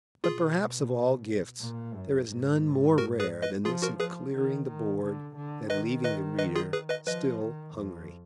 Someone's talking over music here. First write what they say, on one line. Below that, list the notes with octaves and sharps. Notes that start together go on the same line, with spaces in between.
But perhaps of all gifts there is none more rare than this of clearing the board and leaving the reader still hungry.
B2 F4 G#4
A#2
F#2
G#2
F#4 A#4
G#4 B4
B4 D#5
F3 F4 G#4
F#4 A#4
F3 G#4 B4
D#3
D#3
D3
D3
D#3 B4 D#5
B4 D#5
B4 D#5
F4 G#4
G#4 B4
B4 D#5
F3 B4 D#5
D#3
F2